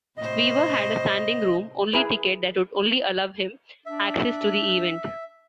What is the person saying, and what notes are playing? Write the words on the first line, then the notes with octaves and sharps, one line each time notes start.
Weaver had a standing-room-only ticket that would only allow him access to the event.
A2 C3 C5 D#5
E4 G#4 A#4 B4
D4 E5